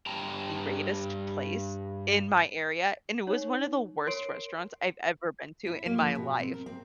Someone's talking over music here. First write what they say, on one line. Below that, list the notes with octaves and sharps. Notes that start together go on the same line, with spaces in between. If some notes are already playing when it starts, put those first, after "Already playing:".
highly-rated place in my area, and it was one of the worst restaurants I've ever been to in my life
G2 G5 A5 A#5
D#4 C#5
A#4 C#5 C6 C7 D7
E4
A#3
F3
B2
C4
A#4
C4